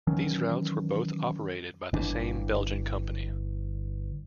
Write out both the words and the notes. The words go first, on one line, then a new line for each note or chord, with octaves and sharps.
These routes were both operated by the same Belgian company.
D#3 E3 F#3 C#4
G1 E3 D4